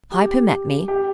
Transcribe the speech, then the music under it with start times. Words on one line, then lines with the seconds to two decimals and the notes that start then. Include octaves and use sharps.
Piper met me.
0.12 G4
0.88 G4